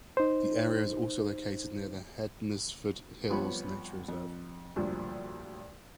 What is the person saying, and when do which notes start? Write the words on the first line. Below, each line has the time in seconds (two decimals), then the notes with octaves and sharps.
The area is also located near the Hednesford Hills Nature Reserve.
0.17 D#4 C5
3.30 C2 F3 B3 C#5 B5
4.08 F2
4.76 D2 G2 A#2 F3 F#3